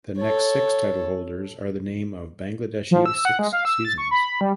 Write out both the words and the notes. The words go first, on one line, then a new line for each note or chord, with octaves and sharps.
The next six title holders are the name of Bangladeshi six seasons.
A4 C#5
F3
E6
F#5
G#3
F5
E6
A6
C#6
B5
G3